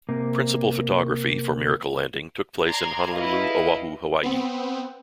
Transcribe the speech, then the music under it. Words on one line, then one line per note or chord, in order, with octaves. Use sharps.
Principal photography for "Miracle Landing" took place in Honolulu, Oahu, Hawaii.
C3 A#3
D5 A#5 C6 G#6
E4 B4 D#5 F5
B3 C4